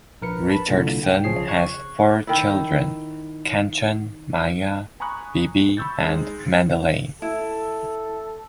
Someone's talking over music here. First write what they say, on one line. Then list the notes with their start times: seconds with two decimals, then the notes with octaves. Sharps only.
Richardson has four children, Kanchan, Maya, Bibi and Madeleine.
0.22 A#1 A#4 B4 C#7
0.50 A5 B5
0.68 C2 A#2 D3
1.04 G5
1.24 B1 C#3 F3 G#4 C#5 C7
1.48 C#6 F#6 G#6
2.27 D#3 E4
5.00 G#5 A#5 B5 C#6 D#6 F#6
5.77 B5 C#6 E6 G6 A6
6.00 G#3 C4 D#4
7.22 E4 A4